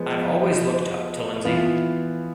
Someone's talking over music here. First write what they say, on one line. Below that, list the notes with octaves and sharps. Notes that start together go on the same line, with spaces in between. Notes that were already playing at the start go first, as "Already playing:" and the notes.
I've always looked up to Lindsey.
Already playing: F3 G#3 B3
E3 B3 F4